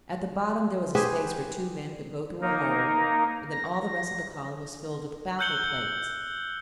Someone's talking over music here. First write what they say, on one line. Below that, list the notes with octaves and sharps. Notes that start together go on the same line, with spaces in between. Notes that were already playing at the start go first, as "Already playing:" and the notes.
At the bottom there was a space where two men could go through a hole; and then all the rest of the column was filled with baffle plates.
G4 G#4 B4 C5
A#3 D#4 A#4
A#6
E6 F#6 G6 C#7 F#7 G7